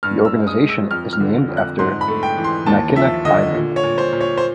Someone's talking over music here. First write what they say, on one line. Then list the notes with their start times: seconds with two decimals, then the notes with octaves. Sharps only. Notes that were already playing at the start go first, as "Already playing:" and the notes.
The organization is named after Mackinac Island.
0.03 G2 F6
0.25 E6
0.32 G#3
0.47 D#6
0.62 G#3
0.69 E6
0.91 F2 F6
1.13 F6
1.20 D3
1.49 F2
1.57 F#6
1.79 G#2 C6
2.01 B5
2.08 A3
2.23 G5
2.37 E3
2.44 C6
2.66 D#2 A5
2.96 F3 E5
3.25 D3 D#5
3.54 A#2
3.76 C#5
3.83 A#2
3.98 C5
4.13 A#2
4.21 C#5
4.37 C5